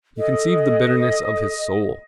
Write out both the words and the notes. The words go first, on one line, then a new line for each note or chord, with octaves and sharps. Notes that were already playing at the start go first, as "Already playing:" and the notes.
You conceive the bitterness of his soul.
A4 D#5